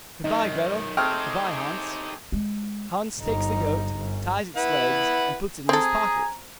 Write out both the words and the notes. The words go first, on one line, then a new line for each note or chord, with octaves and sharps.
'Goodbye, Gretel.' 'Goodbye, Hans.' Hans takes the goat, ties its legs, and puts it in his pocket.
F#2 D#3 D#4
A3 C4 D#4 G4 G#4 G5 F6
G#3
G1 D#4
G1
E4 B4 F#5
C4 G#4 A4 G#5 A#5